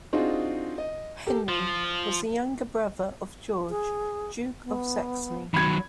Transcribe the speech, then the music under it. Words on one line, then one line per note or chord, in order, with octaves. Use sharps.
Henry was the younger brother of George, Duke of Saxony.
C4 D4 D#4 F4 F#4 G#4
D#5
G4 A4 A#4
F3
G#4
B3
D#3 F#3 B5 G#6